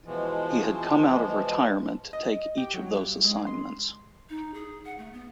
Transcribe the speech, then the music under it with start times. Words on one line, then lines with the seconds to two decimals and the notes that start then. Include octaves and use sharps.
He had come out of retirement to take each of those assignments.
0.06 B2 E3 F3 G#3
2.13 D#5
2.58 G4
2.74 F#3
2.96 G2
3.24 G#3
3.47 C6
4.29 D#4
4.54 G#4
4.85 F#5
4.98 A3
5.13 B3